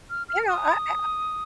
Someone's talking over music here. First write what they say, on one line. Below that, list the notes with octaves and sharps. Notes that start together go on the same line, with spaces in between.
You know, I I
F6
F6
D#6